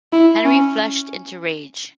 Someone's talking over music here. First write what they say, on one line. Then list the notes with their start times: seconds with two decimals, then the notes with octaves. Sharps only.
Henry flushed into rage.
0.13 E4
0.45 C#4